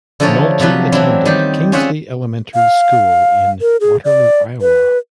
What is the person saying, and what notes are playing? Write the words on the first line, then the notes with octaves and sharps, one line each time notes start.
Nolte attended Kingsley Elementary School in Waterloo, Iowa.
D3 F3 A3 G#4 A#4 C#5
C3 F3 F#3 B4
E3 F#3 C4 D4 E4
D#3 G3 G4
C#4 F4 G#4 C5 E5 F#5
F5
A#4
G#4
D5
B4